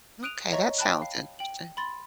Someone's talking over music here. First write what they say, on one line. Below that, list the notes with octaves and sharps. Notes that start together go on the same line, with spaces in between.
Okay, that sounds interesting.
D#6 F#6 D7 D#7 F7
C#5 D#5 E5 A#5 C#6
G5 A5 B5 F#6
F5
G5 F#7
B5 C6 A6